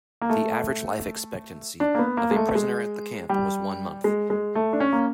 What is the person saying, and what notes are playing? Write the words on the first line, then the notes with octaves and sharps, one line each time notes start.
The average life expectancy of a prisoner at the camp was one month.
A#3
A3
D4
A#3
B3
A#3
G#3
A3
G#3
G3
G#3
G#3
A3
D4
C#4
A#3